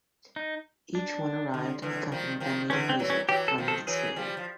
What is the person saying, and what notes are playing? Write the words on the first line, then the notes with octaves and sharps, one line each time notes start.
Each one arrived accompanied by native music, Fleming explained.
D#4
D4
D3
D3 E3
D#3 F3
D#3 F3
D3 E3 C#4
C4
E3 F#3
C#4
E3 F#3 G4
A4
D#3 F3
A4
E3 F#3 G#4
F3 G3
F3